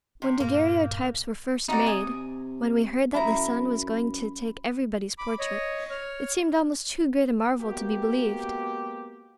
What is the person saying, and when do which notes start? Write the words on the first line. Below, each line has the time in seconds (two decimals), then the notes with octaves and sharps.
When daguerreotypes were first made, when we heard that the sun was going to take everybody's portrait, it seemed almost too great a marvel to be believed.
0.22 C3
0.40 G2 A#2 A#3
1.68 C3 D#4 F#4 D5
1.86 G#5 D#6
3.14 F#2 E4 A#5
5.18 B5 D6
5.39 C#5 D#5
5.90 C#5 F6
7.61 G#3 A#3 B3 F#4 G4